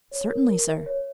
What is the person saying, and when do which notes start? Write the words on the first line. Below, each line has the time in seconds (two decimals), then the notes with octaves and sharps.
"Certainly, sir."
0.11 C#5
0.30 A#4
0.49 A#4
0.68 E5
0.86 C#5